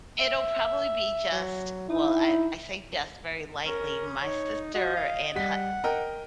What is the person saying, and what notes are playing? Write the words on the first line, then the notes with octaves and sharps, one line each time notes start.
it'll probably be just well, I I say "just" very lightly, my sister and hu
E5
F#3
D#4 E4
C#4 A#4
D#4 C#5
F#4 D#5
F5
G3 F#5 B6
A#4 D#5 G5